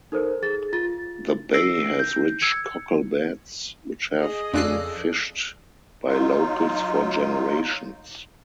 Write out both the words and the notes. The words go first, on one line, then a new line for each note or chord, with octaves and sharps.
The bay has rich cockle beds, which have been fished by locals for generations.
D#4 A4 A#4 C5
G#4 A6
F4 A6
E6 A#6 C7 D7
G6
E6 G#6 C#7
G#4 D#5
F2 C#3 F4 A4 D5 F#6 C7
F#3 D#4 F4